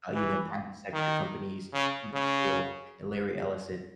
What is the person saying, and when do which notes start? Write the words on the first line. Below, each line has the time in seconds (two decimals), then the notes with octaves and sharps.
uh, you know, private sector companies, you know, Peter Thiel and Larry Ellison,
0.15 E3
0.94 D#3
1.74 C#3
2.14 C#3